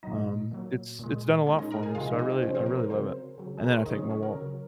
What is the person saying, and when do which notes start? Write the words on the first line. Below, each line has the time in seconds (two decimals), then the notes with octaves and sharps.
um, it's it's done a lot for me, so I really I really love it, and then I take my walk.
0.03 A#2 F#3 D#4 D#5
0.51 A#2 F#3
0.99 A#2 G#3
1.46 A#2 G#3 C#4 C#5
1.58 D#4 D#5
1.71 A#4 A#5
1.83 G#4 G#5
1.95 C3 F3 G#3 F4 F5
2.07 D#4 D#5
2.19 D#4 D#5
2.30 C4 C5
2.42 C3 F3 G#3 C#4 C#5
2.54 C4 C5
2.66 A#4
2.79 A#4
2.90 C#3 F#3 C4 C5
3.38 C#3 F#3
3.58 G#4
3.64 A#4
3.72 C5
3.79 C#5
3.86 C#3 F#3 D#4 D#5
3.99 C#4 C#5
4.10 C#4 C#5
4.23 A#4
4.34 C#3 F#3